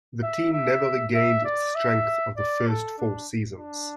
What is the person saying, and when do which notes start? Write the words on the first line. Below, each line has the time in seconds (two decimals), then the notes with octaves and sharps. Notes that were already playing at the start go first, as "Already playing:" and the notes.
The team never regained its strength of the first four seasons.
0.23 E5
0.53 E5
1.14 E5
1.45 D5
1.75 E5
2.37 D5
2.68 A4
2.98 D4
3.59 D4